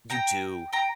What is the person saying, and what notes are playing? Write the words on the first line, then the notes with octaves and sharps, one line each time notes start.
You do.
G5 A#5
G5 A#5